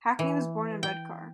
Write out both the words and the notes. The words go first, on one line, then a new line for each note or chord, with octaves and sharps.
Hackney was born in Redcar.
E3
G5